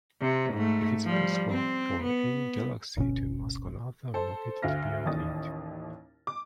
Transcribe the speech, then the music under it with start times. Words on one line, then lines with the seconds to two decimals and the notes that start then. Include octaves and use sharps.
It is possible for any galaxy to mask another located beyond it.
0.21 C3
0.53 G#2 A3
1.05 F3 G3
1.50 C4
2.03 B3
2.96 D1 G1 B2 C#4
4.14 A4 C5
4.62 D2 E5 F5 F6 A#6
5.05 A1 D#2 D#3 D5 D#6 A6
6.27 D6